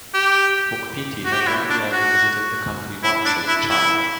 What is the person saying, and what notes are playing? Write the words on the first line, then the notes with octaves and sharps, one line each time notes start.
Boukpeti had only ever visited the country once, as a child.
G4
F#4
G4
F#4
E4
D4
F#4
E4
D4
E4
E4